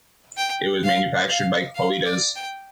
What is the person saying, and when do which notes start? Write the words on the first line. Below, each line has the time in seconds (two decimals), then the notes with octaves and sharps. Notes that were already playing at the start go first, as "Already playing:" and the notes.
It was manufactured by Qualitas.
0.37 G5
0.83 F5
1.29 F5
1.75 F5
2.06 D5
2.36 G5